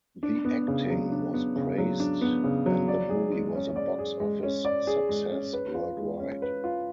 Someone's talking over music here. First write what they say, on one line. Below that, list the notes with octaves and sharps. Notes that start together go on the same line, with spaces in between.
The acting was praised and the movie was a box office success worldwide.
D4
B3
C#3
F#3
D4
B3
C#3
F#3
D4
B3
C#3
F#3
D5
G#4
G#3
C#4
D5
G#4
G#3
C#4
D5
G#4
G#3
C#4
B4
F4
G#3
C#4
B4
F4